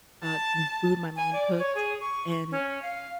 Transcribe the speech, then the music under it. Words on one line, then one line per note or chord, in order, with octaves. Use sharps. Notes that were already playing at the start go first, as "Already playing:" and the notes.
uh, some food my mom cooked. And
A5
G#5
D5
C#5
G#4
C#6
C#4
F5